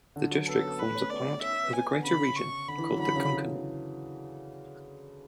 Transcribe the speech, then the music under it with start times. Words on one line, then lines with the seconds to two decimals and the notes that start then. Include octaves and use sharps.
The district forms part of a greater region called the Konkan.
0.16 D3
0.32 F#3
0.48 B3 A4
0.58 C#4
0.69 B3
0.79 A3 B4
0.95 C#4
1.10 B3 D5
1.27 B3
1.42 C#4 E5
1.53 C#4
1.63 B3
1.73 G#5
1.84 B3
1.94 D3
2.05 C#3 B5
2.36 C#6
2.68 D3 B5
2.78 E3
2.89 F#3
2.99 D3 B5
3.16 C#3